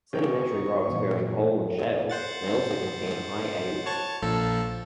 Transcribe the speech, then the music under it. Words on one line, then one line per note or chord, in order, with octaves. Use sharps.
Sedimentary rocks bearing coal and shale may also contain high As.
A1 C#5 G5 C#6
D#4
A#2 E3 B3
C5 F#5 A6
C#5 A5 C#6
A#1 F3 A4